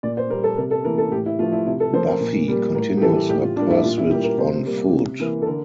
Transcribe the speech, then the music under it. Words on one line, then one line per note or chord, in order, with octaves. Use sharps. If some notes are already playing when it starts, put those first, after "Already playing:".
Buffy continues her pursuit on foot.
A#2 D5
C5
G3 A#3 A#4
A4
C3 A#4
A4
E3 A#3 A#4
A4
A2 G4
E4
F3 A3 F4
E4
C3 E4
A4
F3 A#3 C5
A#4
A#2
G3 A#3
A2 A#4
G4
E3 G3 A#3 A4
A2 G4
F4
G3 A#3 D4
E4
A#2 F4
E4
G3 A#3 G4
A#4
C3 C5
G3 A#3
C3
E3 A#3
A4
D3 A#4